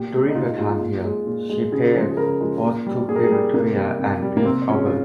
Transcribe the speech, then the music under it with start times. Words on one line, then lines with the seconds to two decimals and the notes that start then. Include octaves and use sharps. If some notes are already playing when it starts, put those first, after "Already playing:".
During her time here, she played host to Queen Victoria and Prince Albert.
Already playing: A#2 G4
0.13 G#3
0.29 D#4
0.35 A#2 F4
0.47 D#4
0.58 G#3 F4
0.69 F4
0.81 A#2
1.04 G#3
1.27 A#2
1.49 G#3
1.72 C#3 G#4
1.95 F3 G#3 C5
2.08 G#4
2.17 C#3 A#4
2.41 F3 G#3
2.63 A#2
2.87 G3
3.09 A#2 G#4
3.16 A#4
3.24 G#4
3.31 G3
3.54 C3 A#3
3.77 G3
3.99 C3
4.22 G3
4.37 A#3
4.45 C3 C4
4.68 F3 G#3 C#4
4.86 F4